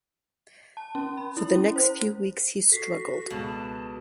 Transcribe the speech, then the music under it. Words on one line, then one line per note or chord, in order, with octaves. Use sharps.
For the next few weeks he struggled.
A5
C#4
B5
E4
C#4
C5
F#4 A4 B6 C7
C#2 B2 A5